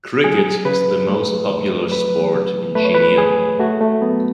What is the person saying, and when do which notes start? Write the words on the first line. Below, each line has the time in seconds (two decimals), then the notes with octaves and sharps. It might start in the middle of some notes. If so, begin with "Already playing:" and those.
Cricket is the most popular sport in Chiniot.
0.24 F#3 G#4
0.65 C#3 B4
1.08 A3
1.50 E2
1.92 F#3 B4
2.34 C#3
2.75 A3 B4
2.85 C#5
2.94 B4
3.18 E2 G#4
3.59 A3 F#4
3.81 A3
4.01 F#3 B3